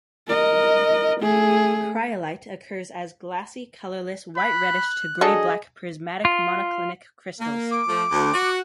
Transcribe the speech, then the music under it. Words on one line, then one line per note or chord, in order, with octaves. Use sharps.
Cryolite occurs as glassy, colorless, white-reddish to gray-black prismatic monoclinic crystals.
A#4 D#5
A3 G#4
B5 F#6
F#3 D4 G#4 A4 D#5
F4
A#3
D6
F3 A3
D2
F#4